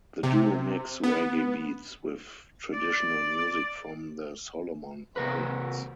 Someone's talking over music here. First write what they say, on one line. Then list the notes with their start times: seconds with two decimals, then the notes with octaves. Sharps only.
The duo mix reggae beats with traditional music from the Solomon Islands.
0.23 C3
1.04 B3
2.73 D5
5.16 C3 A#4 B4